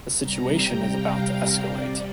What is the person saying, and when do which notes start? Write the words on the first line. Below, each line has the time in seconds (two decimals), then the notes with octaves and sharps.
The situation is about to escalate.
0.22 C3 G3 A#5
0.58 G5
0.94 F5
1.64 C3 G3 D5